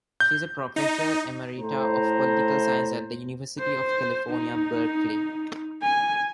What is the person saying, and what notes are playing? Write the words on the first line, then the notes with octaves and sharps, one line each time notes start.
She is a Professor Emerita of Political Science at the University of California, Berkeley.
G6
D#4
A2 C5 A#5
C5
D#4
G#5